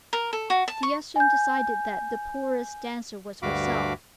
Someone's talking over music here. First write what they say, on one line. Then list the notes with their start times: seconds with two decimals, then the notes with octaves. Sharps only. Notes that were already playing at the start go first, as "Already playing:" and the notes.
Thea soon decided that the poorest dancer was herself.
0.13 A#4
0.33 A4
0.50 F#4
0.68 A5
0.83 C#6
1.16 G#5 G6
3.42 D2 G2 F#4 F5 B5 D6